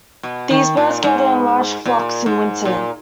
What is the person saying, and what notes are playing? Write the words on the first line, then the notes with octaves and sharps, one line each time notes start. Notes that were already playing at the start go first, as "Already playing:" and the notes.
These birds gather in large flocks in winter.
B2
D#3
A#2
G#2
A#2
G#2
A#2